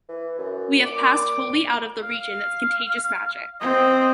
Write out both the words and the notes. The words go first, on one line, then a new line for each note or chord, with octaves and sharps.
We have passed wholly out of the region of contagious magic.
E3
F#2
A#2 D6
F5
C4 D#5